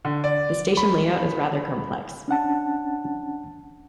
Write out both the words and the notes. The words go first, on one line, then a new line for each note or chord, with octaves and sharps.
The station layout is rather complex.
D3
D5
B5
C#4 D4 F#5 A5